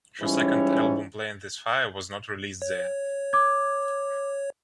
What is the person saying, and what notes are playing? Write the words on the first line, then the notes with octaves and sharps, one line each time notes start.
Her second album "Playin' With Fire", was not released there.
G#2 E3 G3 C#4
C#5
D6 G#6